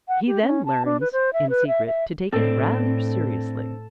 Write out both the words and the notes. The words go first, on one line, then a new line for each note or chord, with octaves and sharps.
He then learns, in secret, to take it rather seriously.
F#5
G4
C#4
A5
D4
B4
C5
E5
B4
E5
E5
A2 C4 D4 A4